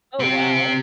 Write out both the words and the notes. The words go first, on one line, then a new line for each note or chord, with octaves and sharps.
Oh, wow.
C3 G4